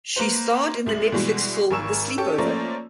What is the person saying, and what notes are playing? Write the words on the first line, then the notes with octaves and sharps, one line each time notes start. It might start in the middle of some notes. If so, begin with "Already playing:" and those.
She starred in the Netflix film "The Sleepover".
A#3 B4 C5
C2 G#3 F#7
B2 E3 G3 G#3
G#1 A#4 G#5 C#6 E6 E7
C#4 G4 A4 A5
F3 A3 A#3 C#4 C5 D5